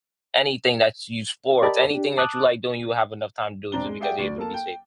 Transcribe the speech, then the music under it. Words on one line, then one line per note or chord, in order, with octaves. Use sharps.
anything that's you sports, anything that you like doing, you will have enough time to do it just because you're able to be stable.
G4 A#4 D5 D#5 A5 B5
D4 G4
A5 D6 D#6 F#6
E1 C4 D4 A#5 G7
G#3
G4 G#4 D5 E5 F#5 G5
D2 D5
A#3 A4 A5
G5